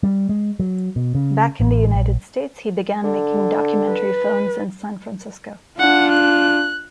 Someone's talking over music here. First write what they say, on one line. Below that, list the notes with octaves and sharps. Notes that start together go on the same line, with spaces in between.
Back in the United States, he began making documentary films in San Francisco.
G3
G#3
F#3
B2
C#3
A1
A#1
D3
B4
D4 F4 F#5
F#6